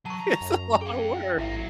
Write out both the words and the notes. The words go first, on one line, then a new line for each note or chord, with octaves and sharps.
It's a lotta work.
F#3 A5 C#6
A#5
F#2
G#4 F5 G5
A1 G#2 A#3 E4 E5
F#3